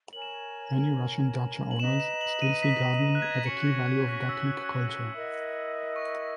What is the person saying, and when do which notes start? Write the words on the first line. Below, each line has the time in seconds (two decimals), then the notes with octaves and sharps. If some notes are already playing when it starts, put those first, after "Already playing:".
Many Russian dacha owners still see gardening as a key value of "dachnik" culture.
0.13 A#4 C#5 G#5 F#7
0.22 E7
0.31 F#7
1.71 F#7
1.79 B4 D#5 A#5 E7
2.00 E7
2.21 F#7
2.42 D#7
2.63 B6
3.15 F#6
3.22 G#6
3.30 A#6
3.38 B6
3.45 C#4 F#4 C#5 C#7
3.67 A#6
3.87 F#6
4.09 F#6
4.29 E6
5.12 E4 A#4 D#5 F#5
5.96 C#6